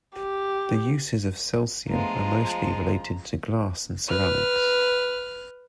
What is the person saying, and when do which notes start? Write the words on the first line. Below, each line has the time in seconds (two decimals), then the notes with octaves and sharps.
The uses of celsian are mostly related to glass and ceramics.
0.17 G4
1.90 F3 G#3 A3 B3 D4 F4 A#5
4.07 B4 F6